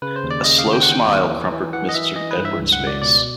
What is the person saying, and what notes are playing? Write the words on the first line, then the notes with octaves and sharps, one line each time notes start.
A slow smile crumpled Mr. Edwards's face.
C#3 B4
C5
D#2
D5
C#3 D#5
F5
D#2
G5
F#5
D#2 G5
D#2
E3
E3
E3 F#5
D#5
E3 E5
E3 D#5
B4
G2
E5
C#2
F#5
C#2
D5
B2 D5